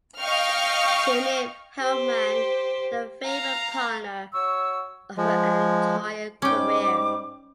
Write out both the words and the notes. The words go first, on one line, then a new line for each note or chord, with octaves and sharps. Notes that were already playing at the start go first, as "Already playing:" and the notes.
She named Helpmann the favourite partner of her entire career.
D#5 F5 G5 C#6 F6
G4 C5
F5 A#5
F#4 C#5 C#6 E6
F3 G#3
G#2 G3 C#4 G5 D6